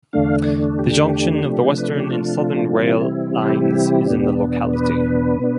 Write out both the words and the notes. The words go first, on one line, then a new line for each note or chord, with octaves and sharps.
The junction of the western and southern rail lines is in the locality.
E2 D3 A3 D4 F5
G4
C3 F3 A3 D4
B4
A4
G4
F4
C3 E3 G3 C4 E4
G4
E2 B2 B3 D4
B4
B2 B3 D4